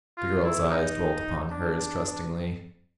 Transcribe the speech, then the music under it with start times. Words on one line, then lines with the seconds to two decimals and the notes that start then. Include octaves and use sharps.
The girl's eyes dwelt upon hers trustingly.
0.17 F4
0.44 E4
0.71 D#4
1.51 D4